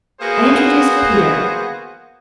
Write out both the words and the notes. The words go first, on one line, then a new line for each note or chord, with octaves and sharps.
I introduced Peter.
A#3 B3 F#4 G#4 C5